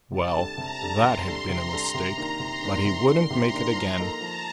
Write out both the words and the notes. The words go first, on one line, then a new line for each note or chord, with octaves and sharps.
Well, that had been a mistake, but he wouldn't make it again.
C3 A5
G3 D4 A4
C3 A#5
G3 D4 A4
C3 C6
G3 D4 A4
C3 A#5
G3 D4 A4
C3
D#3 A#3 D4
C3 C6
D#3 A#3 D4
C3 C6
D#3 A#3 D4
C3 A#5
D#3 A#3 D4
F3 A#5
A#3 D#4 A4
F3 A5